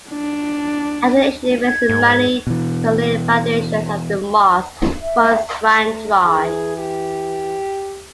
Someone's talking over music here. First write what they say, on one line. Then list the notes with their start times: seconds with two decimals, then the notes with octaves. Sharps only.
After initially raising money to lay the foundations of the mosque, funds ran dry.
0.11 D4
1.66 G#6
1.89 G#2
2.47 B2 E3
5.01 E5
5.77 A3
6.27 E3 G#4
6.78 G4